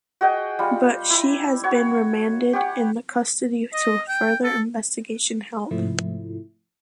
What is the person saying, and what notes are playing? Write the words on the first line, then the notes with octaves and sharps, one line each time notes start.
But she has been remanded in the custody till further investigation held.
F#4 G#4 D#5 G5
G3 F4
E4 A#5
F#4 C#5
G4 C#5 F#5
D#5
G5
A4
G#2 C3 F3 A3 E4